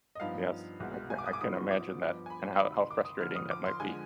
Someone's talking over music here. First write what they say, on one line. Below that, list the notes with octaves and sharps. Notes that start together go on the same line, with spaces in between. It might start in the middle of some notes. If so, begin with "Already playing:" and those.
Yes. I can I can imagine that, and how how frustrating that might be.
D#5
G2 F3 B3 D#4 F5
C2 B2 G#3
G#5
D6
D#6
D6
G#2 F3 B3 F4 D#6
D6
G2 F3 B3
G#5
B5
G#5
D2 C3 D#3 B5
C6
D6
D#6
F2 D3 F3 F6
F6
D#6
D6
C6
D3 F3 G#3 G#5